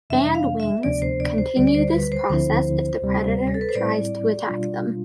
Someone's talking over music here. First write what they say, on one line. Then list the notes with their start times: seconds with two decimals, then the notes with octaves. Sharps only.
Bandwings continue this process if the predator tries to attack them.
0.10 F2 C3 E3 G3 D4 E5
0.35 F5
0.60 E5
0.83 D2 C3 F3 B3 D4 D5
1.02 C5
1.20 D5
1.38 C5
1.56 D2 D3 G3 D5
1.67 D5
1.75 C5
1.93 B4
2.12 C5
2.29 D2 D3 F3 C4 E4 C5
3.02 D2 C3 G3 C4
3.54 A4
3.61 B4
3.69 C5
3.75 A2 G3 C4 E4 D5
4.48 B2 G3 D4 F4